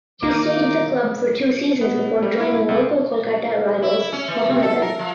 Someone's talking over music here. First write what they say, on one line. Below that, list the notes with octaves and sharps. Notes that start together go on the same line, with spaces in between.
He stayed at the club for two seasons before joining local Kolkata rivals Mohammedan.
D#3 E3 A#3 D#4 D6
B3
G3
E4
C2
E4
C#4
E3
C3
A4
A#4
F3